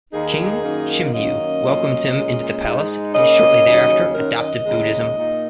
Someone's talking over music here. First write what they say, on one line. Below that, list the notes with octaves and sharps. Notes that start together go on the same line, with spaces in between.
King Chimnyu welcomed him into the palace, and shortly thereafter adopted Buddhism.
D#2 D#3 A#3 D#4 G#4
F#2 D#3 A#3 D#4
F#2 D#3 A#3 C#4 D#5
A#2 F#3 C#4
A#2 G#3 C#4
G#2 G#3 D#4
C#3 A#3 C#4 D#5
D#2 C#3 F#3 C#4
F#2 D#3 F#3 C#4 A#4
D#5
D#2 C#3 G#3 D#4
A#2 A#3 D#4